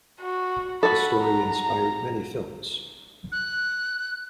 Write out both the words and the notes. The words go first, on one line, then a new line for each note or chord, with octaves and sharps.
The story inspired many films.
F#4
F#4 A4 B5
A#5
F#6